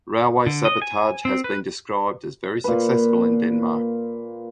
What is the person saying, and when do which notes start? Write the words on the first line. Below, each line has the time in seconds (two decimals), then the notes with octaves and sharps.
Railway sabotage has been described as very successful in Denmark.
0.46 D3
0.65 D#5
0.82 G#5
1.25 C4
1.44 B4
2.64 A#2 B4